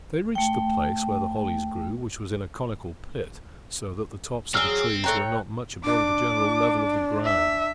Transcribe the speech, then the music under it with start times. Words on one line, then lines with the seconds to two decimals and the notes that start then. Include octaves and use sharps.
They reached the place where the hollies grew, which was in a conical pit, so that the tops of the trees were not much above the general level of the ground.
0.35 A3 G5
4.54 F#3 C4 G#4 E6 F6
5.04 A3 C#5 G5 A#5 F#6
5.85 D4 D6
7.24 E5